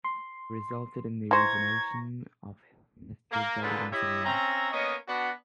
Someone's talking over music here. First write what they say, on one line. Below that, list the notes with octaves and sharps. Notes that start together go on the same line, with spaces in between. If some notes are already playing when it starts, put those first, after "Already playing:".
It resulted in the resignation of health minister Julio Mazzoleni.
C6
E3 C5 A#5 C#6 G#6 A#6
A#3
F#2 A#2 D3 F4 G#4 B4
E4 G4 C#5 D#5 E5
C4 C#4 E5 A#5
A#3 B3 C#4 C#5 D#5
B3 D4 F#4